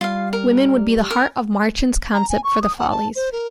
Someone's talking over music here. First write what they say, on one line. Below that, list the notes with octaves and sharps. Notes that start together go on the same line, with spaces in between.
Women would be the heart of Marchand's concept for the Folies.
G3 F4 F5
A#4
A#4
A#5
G#5
C#6
D#6
F#5
A5
C5
A#4